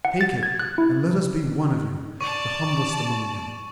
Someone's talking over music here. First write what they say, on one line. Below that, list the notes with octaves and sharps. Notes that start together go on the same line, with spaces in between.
Take it, and let us be one of you, the humblest among you.
F#5
A6
G#6
F#6
E4
D5 A5 C#6